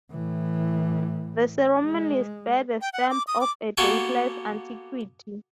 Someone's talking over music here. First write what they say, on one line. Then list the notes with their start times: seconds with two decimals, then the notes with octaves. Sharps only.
The ceremonies bear the stamp of a dateless antiquity.
0.11 A2 E3
1.85 G#3
2.81 G5
2.93 F#5
3.10 D6
3.28 D#6
3.41 D6
3.77 A#3 B3 F#4 G4 A4 G#5